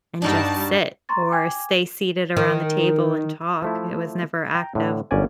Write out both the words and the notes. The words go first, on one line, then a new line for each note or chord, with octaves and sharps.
and just sit or stay seated around the table and talk, it was never active.
G2 G3 D4 D#4 F#4 A5
A#5 C6 C#6 A6
G5 G#5 D6 G#6
D#3
F3 A3 E4
G5 A#5
A2 D3
G1 F#2 C#4 D5 G#5